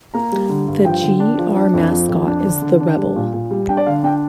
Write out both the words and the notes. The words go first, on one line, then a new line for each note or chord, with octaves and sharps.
The G-R mascot is the Rebel.
A#3 A#5
G3
D3
G2
F3 G5
D3
D4
F3
D4
F2
F3
F2
D4
D3
D3
D4
G3
A#2
A#2
G3
D4 G5
D5
D3 F5
D4 G5